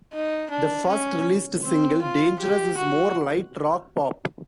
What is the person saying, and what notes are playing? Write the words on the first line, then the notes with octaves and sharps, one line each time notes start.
The first released single, "Dangerous", is more light rock-pop.
D#4
D4
C#4
C4
F4
G4
F#4